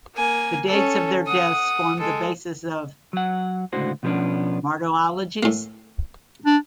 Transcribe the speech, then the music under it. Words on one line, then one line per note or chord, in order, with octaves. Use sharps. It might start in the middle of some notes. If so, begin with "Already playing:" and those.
The dates of their deaths formed the basis of martyrologies.
A#3 G#5
C#4 A4
F#5 D#6
G#3 A4
F#3 F#5
C#2 A2 D3 F#4 C5
B2 F3 G3 B3 C#4 D4
A2 A#3
D4